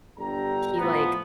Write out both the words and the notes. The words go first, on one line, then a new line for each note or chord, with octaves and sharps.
he, like,
G1 D3 G4 A#5
A2 F3 B3